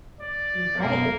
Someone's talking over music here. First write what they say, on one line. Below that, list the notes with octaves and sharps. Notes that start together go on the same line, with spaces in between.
Right, an
D5
F#2 B2 A#3